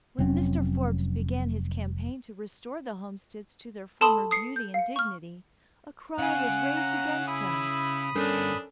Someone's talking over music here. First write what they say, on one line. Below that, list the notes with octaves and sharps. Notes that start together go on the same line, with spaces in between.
When Mr. Forbes began his campaign to restore the homesteads to their former beauty and dignity, a cry was raised against him.
F1 F#3 C4 C#4
A4 A5 B5 C6 D#6
D#6 C7 C#7
G6
F5 C#7
C#6 F6
C#3 F5 F#5 G#5
A#5
E4 B5 D#6
G2 D3 C#4 D4 A4 A#4